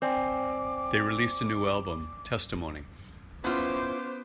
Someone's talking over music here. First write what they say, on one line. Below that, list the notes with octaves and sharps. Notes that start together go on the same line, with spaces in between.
They released a new album, "Testimony".
C4 D5 G5 G#5 D6
B3 C#4 E4 F4 C5 D6